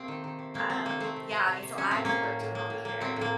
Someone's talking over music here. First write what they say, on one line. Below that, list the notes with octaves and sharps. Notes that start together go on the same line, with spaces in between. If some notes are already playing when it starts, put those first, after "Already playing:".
Um, yeah, I mean, so I've worked in health care
Already playing: C3 A3 A#3 C4
D#3
D#3
C3
A3 A#3
C3 C4
D#3 A#3
A3 C4
C3
C3
C3
C3
F#3 C#4
A2 C4
A2 A#3 C#4
A2
A2
A#3
A2
A#3
F#3 C4
A2
A#3